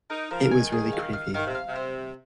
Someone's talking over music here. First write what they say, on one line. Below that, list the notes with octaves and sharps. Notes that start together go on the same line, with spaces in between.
It was really creepy.
D#4 A#4
F3 A#4
D#3 G#5
G#4
F5
F5
D#3 F5
C3
F5
C3
C5